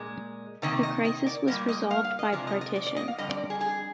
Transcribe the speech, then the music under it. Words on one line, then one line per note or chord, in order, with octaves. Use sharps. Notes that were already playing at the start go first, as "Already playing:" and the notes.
The crisis was resolved by partition.
Already playing: A#2 G#3
C3 D#3 A#3 D#5
D#5
D#5
D5
A#2 G3 A#3 D#5
D#5
F5
F5
D#5
C3 F3 G#3 D5
D#5
D#5
D5
D5
D#5
F5
F2 D3 G3 D#5
D5
G#4
G#4